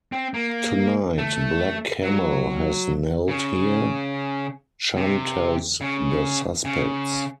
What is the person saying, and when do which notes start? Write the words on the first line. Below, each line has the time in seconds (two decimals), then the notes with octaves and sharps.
Tonight black camel has knelt here, Chan tells the suspects.
0.12 C4
0.34 A#3
1.18 A3
2.02 F#3
3.28 C#3
4.96 C3
5.81 C#3
6.65 C#3